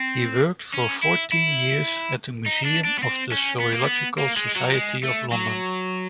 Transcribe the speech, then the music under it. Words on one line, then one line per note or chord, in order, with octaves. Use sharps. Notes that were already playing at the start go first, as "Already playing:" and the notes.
He worked for fourteen years at the museum of the Zoological Society of London.
Already playing: C4
C#4
E4
E4
D#4
D4
D4
B3
C4
C#4
B3
A#3
B3
A#3
G#3
F#3
G#3
A3
F#3